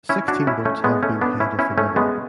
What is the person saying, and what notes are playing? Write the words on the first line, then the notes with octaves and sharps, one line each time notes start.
Sixteen boats have been head of the river.
C#4 E4
D4 F#4
C#4 E4
A3 C#4
G#3 B3
A3 C#4
B3 D4
C#4 E4
C#4 E4
A3 C#4
G#3 B3